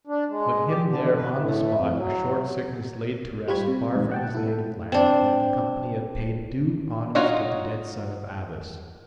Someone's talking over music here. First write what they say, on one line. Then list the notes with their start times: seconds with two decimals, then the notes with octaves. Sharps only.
But him there on the spot a short sickness laid to rest far from his native land, when the company had paid due honours to the dead son of Abas.
0.07 D4
0.29 G#3
0.68 G4
0.84 D3
1.14 B4
1.34 A2
1.73 F2
1.94 F#3
3.48 G3 F4 G4 C#5 B5 G#6
3.68 C3
3.96 A#1 D#2 G#2
4.12 F#5 G5 A5
4.34 E4 A4
4.92 C4 D4
7.15 D#4 F4 F#4 C#5 D#5